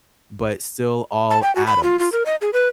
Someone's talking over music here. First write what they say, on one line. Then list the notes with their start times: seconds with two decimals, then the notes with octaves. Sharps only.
but still all atoms.
1.31 A5
1.43 G5
1.56 F#4
1.67 B5
1.83 F4
1.99 F4
2.12 A#4
2.26 D#5
2.41 G#4
2.53 B4